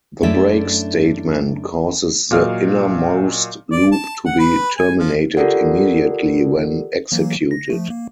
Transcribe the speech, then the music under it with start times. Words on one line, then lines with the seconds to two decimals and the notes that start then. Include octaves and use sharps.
The break statement causes the inner-most loop to be terminated immediately when executed.
0.23 F#2 A3 D4 E4 E5
2.31 A#2 F#3 F#4 D#5 F5 F6
3.72 D5
3.92 A5
4.26 F#5
4.39 B4
4.77 G#5
4.99 F3
5.37 F4 G4 A4 A#4 D5 F#5
7.12 E3 F#3 A#3
7.51 A#6
7.70 F3 A3
7.90 A#3